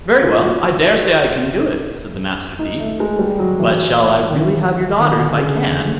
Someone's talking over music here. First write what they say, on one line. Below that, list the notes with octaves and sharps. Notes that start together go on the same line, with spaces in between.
'Very well, I daresay I can do it', said the Master Thief; 'but shall I really have your daughter if I can?'
F4
F#4
F#4
E4
D#4
A3
G#3
G3
F#3
E3
D#3
E3
D#3
D3
C#3